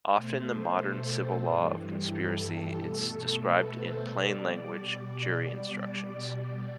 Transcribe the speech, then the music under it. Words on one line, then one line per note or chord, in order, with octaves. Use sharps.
Often the modern civil law of conspiracy is described in "plain language" jury instructions.
B2 A3 C5
A4
G2 E3 G3
A4
G4
B2 A3 A4
A4
B4
C5
B2 G3 D5